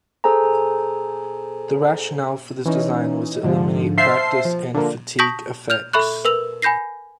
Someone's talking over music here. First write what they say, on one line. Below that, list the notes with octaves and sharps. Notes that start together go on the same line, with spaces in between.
The rationale for this design was to eliminate practice and fatigue effects.
G#4 A4 C5 G#5 A#5
E3 C#4 D#4
G#2 D3 F3
C5 E5 F5 A5 C6 C7
F3
D3 F3 A#3
A5 C#6 D#6 G6 A#6 B6
F6 G6 F7
A4 E5 B5 C#6 F#6
A#4 B4 E6 F7
G#5 B5 G6 A#6 C7